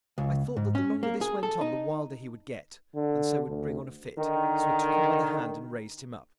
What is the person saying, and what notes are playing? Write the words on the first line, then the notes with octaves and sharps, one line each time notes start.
I thought that the longer this went on the wilder he would get, and so would bring on a fit; so I took him by the hand and raised him up.
C#2
G#2
C#4
A#3
G#4
A4
D#4
D3
D2
D3 D#3